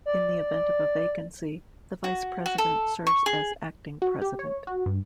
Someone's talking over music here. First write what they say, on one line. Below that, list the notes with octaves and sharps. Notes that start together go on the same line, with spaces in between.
In the event of a vacancy the Vice-President serves as Acting President.
D5
F#4
F#4
A4
C#6
G#4
F#4
G4
C#5
F#4
G2